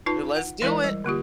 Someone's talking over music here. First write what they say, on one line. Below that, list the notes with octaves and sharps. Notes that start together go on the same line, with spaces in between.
Let's do it.
D#4 F4 B4 A5
F#5
E3 G#3 E4 A#4 D5
G3
D3 A#3 F4 G4